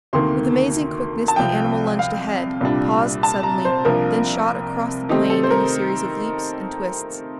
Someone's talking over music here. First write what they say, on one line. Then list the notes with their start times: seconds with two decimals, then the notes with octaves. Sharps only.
With amazing quickness the animal lunged ahead, paused suddenly, then shot across the plain in a series of leaps and twists.
0.13 D2 C3 D#3 A#3 C6
1.28 A5
1.36 C2 C3 F3 G5
1.99 F5
2.61 C2 A#2 G3 D4
3.23 A5
3.43 A#5
3.65 C5
3.85 C2 C3 F3 A#3 D4 A#4
5.09 C3 D#3 A3 C4 D#4 G4
5.30 A4
5.43 C5
5.50 A#4